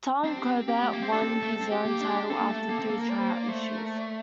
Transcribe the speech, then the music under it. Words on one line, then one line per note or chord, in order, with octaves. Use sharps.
Tom Corbett won his own title after three tryout issues.
C4 D4
G4
G4
A3
A#3
C4
D4 A4
C4
A3
C4
G4
A#3
D4
C4 A4
A#3
A3
A#3
C4
A#3 A4
A#4
D5
C5
D5
A3 C5
A#4
A4
D5